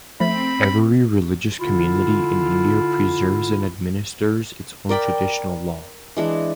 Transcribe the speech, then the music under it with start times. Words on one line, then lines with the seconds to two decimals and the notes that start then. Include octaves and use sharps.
Every religious community in India preserves and administers its own traditional law.
0.20 F3 A3 C4 B5
1.60 D3 E4 F4
4.89 A#4 D5 G5 B5
6.17 E3 G#3 D4